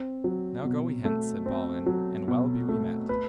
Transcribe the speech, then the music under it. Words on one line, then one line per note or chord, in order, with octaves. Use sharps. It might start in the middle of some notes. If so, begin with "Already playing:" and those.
Now go we hence, said Balin, and well be we met.
Already playing: C4
F#3
B2
A3
C4
F#3
B2
A3
B4